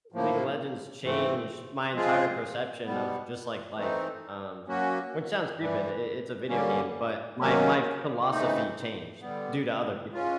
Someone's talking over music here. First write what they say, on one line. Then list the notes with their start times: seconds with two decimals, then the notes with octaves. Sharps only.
League of Legends changed my entire perception of just, like, life, um, which sounds stupid. It it it's a video game, but, my my philosophy changed due to other people.
0.12 A2 F3 A#3
1.03 G#2 E3 A3 C4
1.94 F3 G#3 C4 F4 G#4
2.85 B2 G3 B3
3.76 E3 A3 C4 D#4
4.67 F#3 A#3 C#4 F#4
5.58 G2 E3 G3
6.48 D3 G3 A#3 C#4
7.40 D#3 F#3 A#3 C#4
8.31 C#3 E3 A3 C4 D#4
9.22 D3 G3 B3
10.13 G#3 C#4 F4